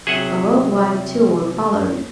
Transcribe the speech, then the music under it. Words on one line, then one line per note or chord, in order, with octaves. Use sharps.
A worldwide tour followed.
C3 F#3 G#4 E5 F#5